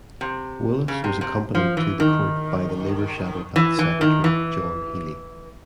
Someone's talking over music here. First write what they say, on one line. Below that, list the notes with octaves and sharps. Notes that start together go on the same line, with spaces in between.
Woolas was accompanied to court by the Labour Shadow Health Secretary John Healey.
C3
C#3
C3
C3
F3
E3
D#3
E3
E3
D#3
E3